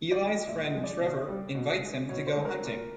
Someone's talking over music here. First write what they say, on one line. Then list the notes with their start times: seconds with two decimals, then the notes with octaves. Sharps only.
Eli’s friend Trevor invites him to go hunting.
0.11 D5
0.21 G#3
0.30 D#5
0.48 A#2 E5
0.65 D#5
0.75 F3 G#3
0.83 D5
1.02 B2
1.28 G3
1.55 B2
1.82 G#3
2.09 B2 C#5
2.27 C5
2.36 G#3
2.45 A#4
2.63 A#2